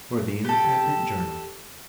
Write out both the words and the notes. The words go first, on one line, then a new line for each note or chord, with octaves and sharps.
For the Independent Journal.
G4 A4